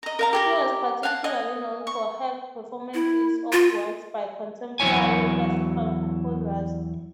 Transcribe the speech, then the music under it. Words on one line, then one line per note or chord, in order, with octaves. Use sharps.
She was particularly known for her performances of works by contemporary classical composers.
D#5 A#5
A#4 F5 A#5
G4 G#4 A#4
F5 F#5 G#5 A5
D#5 G#5
C#6
E4
F4
E2 F#3 C#4 E4 C#5 G#5